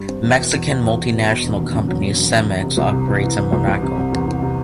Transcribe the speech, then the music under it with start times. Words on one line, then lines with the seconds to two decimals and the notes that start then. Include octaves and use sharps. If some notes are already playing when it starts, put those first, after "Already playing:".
Mexican multinational company Cemex operates in Monaco.
Already playing: G2 G3
0.08 C4
0.23 E2
0.38 B2
0.53 E2
0.68 E2
0.83 E2
0.98 E2
1.13 B2
1.28 B2
1.43 E1
1.58 D#2
1.73 C#3
1.88 F#3
2.02 E1
2.18 E1
2.33 E1
2.48 E1
2.62 C3
2.77 C2
2.92 C3
3.08 E3
3.22 E3
3.37 E3
3.52 C2
3.67 C2
3.82 C3
3.97 C3
4.12 E2
4.27 C3
4.42 C3